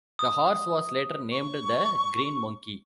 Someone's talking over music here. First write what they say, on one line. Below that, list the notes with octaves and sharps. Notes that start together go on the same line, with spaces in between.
The horse was later named The Green Monkey.
D#6
C#6